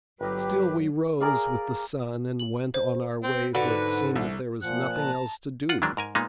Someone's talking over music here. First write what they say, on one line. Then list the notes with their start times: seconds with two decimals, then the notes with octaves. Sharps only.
Still we rose with the sun and went on our way, for it seemed that there was nothing else to do.
0.21 G1 F#3 G4 B4 D#5 A#5
1.20 G#4 A#4 D5 F5
2.39 F#7
2.74 C5
3.24 C4
3.55 G#2 D3 F#4 B4
4.16 C2
4.62 A#2 F3 F#5 F#6
4.94 A5 A#5
5.69 F4 F#5
5.82 D#3 E3 F#3 G#3 D4
5.97 G#2 A#4 G#5
6.15 A#2 G#3 A#3 B3 D#4